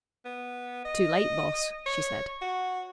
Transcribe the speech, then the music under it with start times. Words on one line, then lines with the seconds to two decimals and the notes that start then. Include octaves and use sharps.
"Too late, Boss," she said.
0.25 B3
0.85 D#5
1.86 C#5
2.42 F#4